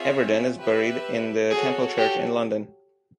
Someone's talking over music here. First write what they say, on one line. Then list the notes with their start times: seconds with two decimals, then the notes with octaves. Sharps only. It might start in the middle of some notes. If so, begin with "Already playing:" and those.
Everdon is buried in the Temple Church in London.
Already playing: C4 F4 G#4 C#5 E5
0.58 G4 B4 E5
1.50 F#4 G#4 A4 C#5
1.98 G4